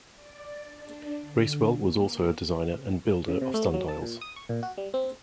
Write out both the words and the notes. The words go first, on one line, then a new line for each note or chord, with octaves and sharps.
Bracewell was also a designer and builder of sundials.
D5
D4
D3
A#3
C#3
C3
A3
F#3
A5
A#2
D#6
C#6
A#2
F#4
G3
C4